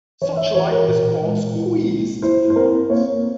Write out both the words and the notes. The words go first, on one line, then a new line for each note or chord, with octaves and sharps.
Such light is called squeezed light.
E3 C#5
E5
E3 C#5
A#4
A#2
G#3
E4
A#3
E4 C5
C5
C4 A#4
A#3 C#5